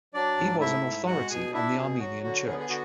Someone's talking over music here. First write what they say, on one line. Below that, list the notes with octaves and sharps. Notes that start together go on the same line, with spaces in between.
He was an authority on the Armenian Church.
F#3 D4 D5
G#2
A3 E4 E5
G#2
G#3 F#4 F#5
B2 G#4 G#5
D4 E4 E5
B2 G#4
F#3 F#4
D3 F#4
B3 G#4
G#4
D3 F#4